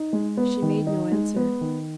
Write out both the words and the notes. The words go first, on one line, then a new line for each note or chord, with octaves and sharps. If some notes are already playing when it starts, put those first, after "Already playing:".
She made no answer.
Already playing: D#4
G#3
B3
D#3
D#4
G#3
B3
D#3